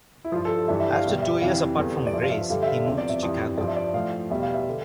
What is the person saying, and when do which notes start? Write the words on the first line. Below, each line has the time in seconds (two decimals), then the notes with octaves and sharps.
After two years apart from Grace, he moved to Chicago.
0.25 E4
0.32 F3 F4
0.36 G2
0.45 A4
0.68 G2 E3 G3 E5
0.80 E5
0.93 F5
1.05 E2 B2 G3
1.22 E5
1.42 F2 E3 G3 F5
1.77 E2 D3 G3
2.07 D5
2.13 F3 E5
2.16 G2
2.23 F5
2.31 E5
2.50 G2 D3 G3 F5
2.63 E5
2.67 F5
2.85 E2 C3 F3 E5
2.98 D5
3.09 E5
3.22 F2 E3 G3
3.57 G2 F3 D5
3.68 E5
3.76 D5
3.94 A2 F3 F5
4.30 E2 B2 G3 E5
4.42 F5
4.54 E5
4.68 D3